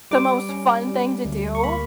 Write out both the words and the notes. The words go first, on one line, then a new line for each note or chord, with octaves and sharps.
the most fun thing to do,
G3 D6
C#4
G3
D2
C#6
A#3 B5